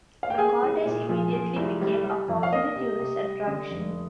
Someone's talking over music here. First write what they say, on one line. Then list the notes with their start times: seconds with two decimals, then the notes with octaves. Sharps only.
The cottage immediately became a popular tourist attraction.
0.23 F5
0.30 G5
0.38 A#3 G#4 G#5
0.62 C2
0.85 A#2
1.09 F3
1.34 F3
1.56 C2
1.81 G3
2.04 G3
2.28 F2
2.43 F5
2.52 A#3 D#5
2.76 C3
2.99 C3
3.23 G3
3.47 D3
3.71 F1